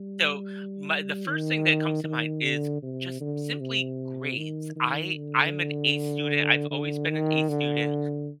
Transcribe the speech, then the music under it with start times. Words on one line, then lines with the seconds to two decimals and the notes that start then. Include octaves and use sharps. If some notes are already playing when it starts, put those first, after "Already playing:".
So m the first thing that comes to mind is just simply grades. I I'm an A student. I've always been an A student,
Already playing: G3
1.26 D#3
2.04 D#3
2.43 D3
2.82 C3
3.20 D3
3.60 C3
4.37 D#3
4.76 D#3
5.16 D3
6.71 D3
7.10 D#3
7.49 D3